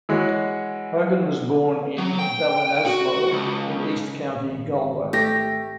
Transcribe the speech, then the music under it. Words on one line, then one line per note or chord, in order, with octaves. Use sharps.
Hogan was born in Ballinasloe in east County Galway.
E3 G#3 F#4 C#5
F#3
G5
F#4
C#2
G#1
A3 G4 A#6